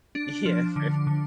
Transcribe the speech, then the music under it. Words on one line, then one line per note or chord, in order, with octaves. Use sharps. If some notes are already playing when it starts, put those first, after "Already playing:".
Yeah, for
D4
F3
D3
D3